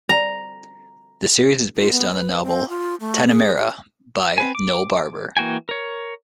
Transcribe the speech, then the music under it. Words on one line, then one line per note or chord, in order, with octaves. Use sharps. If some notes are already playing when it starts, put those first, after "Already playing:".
The series is based on the novel, "Tanamera", by Noel Barber.
A#5
F4
B3
B4
C4
F4
A3
G#4
G4
C4 B4 G#5
D6
E3 A#3 F#4 G5 G#5
A#4 C#5